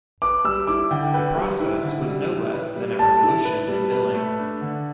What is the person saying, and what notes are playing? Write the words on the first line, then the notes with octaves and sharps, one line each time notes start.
The process was no less than a revolution in milling.
B4 D6
G3 E6
E4 D6
D3 G5
B4 G5
G3
E4
D3
G3
E4
B4
G3
G3 A5
E4
B4
G3
B4
A3
D4
D3